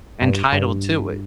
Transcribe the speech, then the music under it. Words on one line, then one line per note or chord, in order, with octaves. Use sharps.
entitled to it.
G2
G2